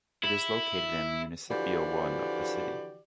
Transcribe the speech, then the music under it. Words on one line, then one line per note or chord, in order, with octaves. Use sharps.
It is located in Municipio One of the city.
E4
D3 E3 F3 F#4 G4 D5